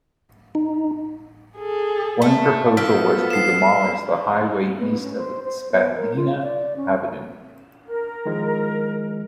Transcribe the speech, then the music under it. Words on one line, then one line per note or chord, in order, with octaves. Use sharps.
One proposal was to demolish the highway east of Spadina Avenue.
D#4
G#4 A4
A3
F3 B3 A4 E6 F6 B6
C7 E7
B3
C#4
C5
C5
B3
A#4
F4
D5
C#4
A#4
D#3 F3 G#3